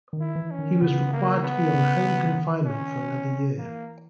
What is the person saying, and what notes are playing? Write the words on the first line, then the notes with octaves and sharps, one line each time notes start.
He was required to be on home confinement for another year.
D#3
E4
E3
C#4
D#3
C#3 B3
A#3
B3
C#3
C#3
D#3
C#4
E3 A#3